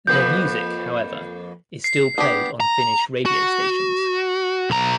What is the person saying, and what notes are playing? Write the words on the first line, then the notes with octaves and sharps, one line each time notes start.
Their music, however, is still played on Finnish radio stations.
F2 A#3 B4 G6
C7
B3 D4 G4
A#5
F#4
B1 A#5